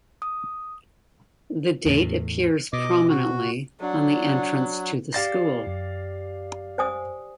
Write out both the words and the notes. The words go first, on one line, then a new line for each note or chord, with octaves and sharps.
The date appears prominently on the entrance to the school.
D#6
E2 A2
B2 D#5 D6
F#4
F#3 D4 F#5
G4 D5 F5 A6 A#6 C7
F#2
C5 G#5 D#6